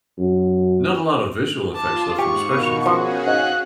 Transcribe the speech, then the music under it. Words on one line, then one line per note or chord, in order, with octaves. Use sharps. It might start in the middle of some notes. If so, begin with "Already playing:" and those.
Not a lot of visual effects, though, from special effects,
F#2
F4 A5 D6
G#2 G4 C#6
B2 D#3 B3 F#4 A#4 F5
F3 C#4 F#4 G#4
G#2 F5 F#6